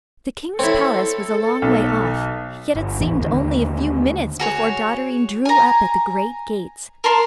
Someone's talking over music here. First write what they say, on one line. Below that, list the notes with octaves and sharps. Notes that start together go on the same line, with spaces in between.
The king's palace was a long way off, yet it seemed only a few minutes before Dotterine drew up at the great gates.
C4 E4 A4 C#5
B1
G1
A1 E2 E3
D#2 D3
F#4 G#4 C#5
G#5 A#5
A#4 A5 C6